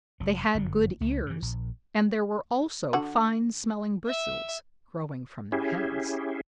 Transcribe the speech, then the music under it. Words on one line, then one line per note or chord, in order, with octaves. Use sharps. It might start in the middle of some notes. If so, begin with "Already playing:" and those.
They had good ears, and there were also fine smelling-bristles growing from their heads.
F1 F#3
G1 F#2 D3
C#2 A3
G2 E3
A#1
D3 F#4
E5
C#4 E4 G4 G#4